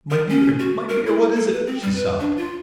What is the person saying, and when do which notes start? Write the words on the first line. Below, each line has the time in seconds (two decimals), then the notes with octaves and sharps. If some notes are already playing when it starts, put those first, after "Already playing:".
"My dear, my dear, what is it?" she sobbed.
0.11 A#4
0.29 C#4
0.59 F#4
0.89 A#4
1.06 E4
1.35 A4
1.52 B4
1.67 C4
1.82 G3
1.96 B4
2.20 D4
2.37 F4